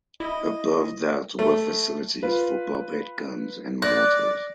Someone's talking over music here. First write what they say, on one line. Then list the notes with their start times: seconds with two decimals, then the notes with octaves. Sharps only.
Above that were facilities for barbette guns and mortars.
0.20 E4 D#5
1.39 A3
2.23 F4 B4
3.82 D5 F#6 A#6